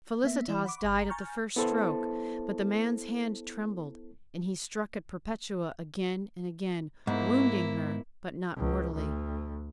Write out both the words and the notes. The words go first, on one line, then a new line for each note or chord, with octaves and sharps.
Felicitas died at the first stroke, but the man's hand trembled, and he struck at Perpetua again and again, wounding her, but not mortally.
A#3 B3 E5
E3 E4 D5
F#5 B5 C#6 D6
G1 A#5
G#5 A#5 C#6 F6 G6 A6
B3 E4 A4 C5 A5
G#2 A#3 B3 E4
C#2
D2